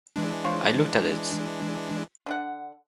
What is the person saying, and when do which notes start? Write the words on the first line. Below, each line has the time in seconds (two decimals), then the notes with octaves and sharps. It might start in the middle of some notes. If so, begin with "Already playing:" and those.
I looked at it.
0.16 E3 G#3 D4
0.44 F4 C5 C#5
2.26 D3 D4 F#5